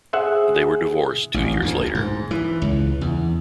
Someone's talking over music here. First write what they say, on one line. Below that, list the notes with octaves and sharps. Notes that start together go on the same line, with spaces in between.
They were divorced two years later.
G#4 C5 E5 F#5
A1
D2
G#2
E3
C#2
E2